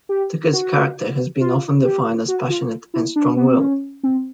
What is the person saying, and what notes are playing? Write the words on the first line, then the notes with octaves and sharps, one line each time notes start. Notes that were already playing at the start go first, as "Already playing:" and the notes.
Tucker's character has been often defined as passionate and strong willed.
G4
F#4
F4
G4
F#4
F4
E4
D4
B3
C4
C#4
C4